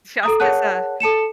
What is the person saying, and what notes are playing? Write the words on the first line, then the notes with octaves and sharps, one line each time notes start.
just as a
A4 A#5 D#6
G#4 A#4 C#5 F#5 A5 F#6
A4 A5 C#7 E7